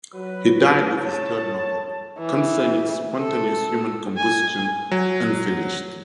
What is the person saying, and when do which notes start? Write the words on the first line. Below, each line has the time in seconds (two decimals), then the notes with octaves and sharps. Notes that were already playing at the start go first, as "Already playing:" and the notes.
He died with his third novel, concerning spontaneous human combustion, unfinished.
0.14 F#3 B4
1.01 C#5 A5
2.18 E3
3.17 A4
4.17 G#5
4.91 F#3